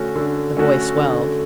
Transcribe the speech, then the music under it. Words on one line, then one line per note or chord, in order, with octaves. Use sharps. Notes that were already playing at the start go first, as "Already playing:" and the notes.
The boy swelled.
Already playing: D3 A3 C#4 F#4
D3
A3 C#4 F#4
D3